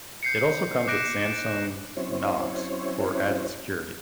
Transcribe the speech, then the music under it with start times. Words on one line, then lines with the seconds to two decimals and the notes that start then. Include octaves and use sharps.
It also comes with Samsung Knox for added security.
0.23 G6 C7 C#7
0.87 D6 F#6 G6 A#6 D7 E7
1.97 F#3 C4 C#4 E4 C5 C#5